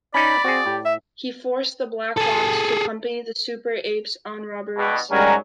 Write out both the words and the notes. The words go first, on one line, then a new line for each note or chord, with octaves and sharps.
He forced the Black Fox to accompany the Super-Apes on robberies.
C#4 D#4 D5 B5
C4 F#4 G#4
A2 G4
E5
G#4 A4
G2 B2
G#2 F#3 G3 C#4 A#4